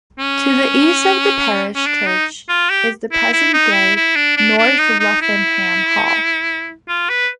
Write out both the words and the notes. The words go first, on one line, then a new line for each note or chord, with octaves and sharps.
To the east of the parish church is the present day North Luffenham Hall.
C#4
C#4
D4
D#4
F4
G4
E4
E4
D#4
E4
E4
D4
D4
D4
D#4
D#4
E4
F4
B4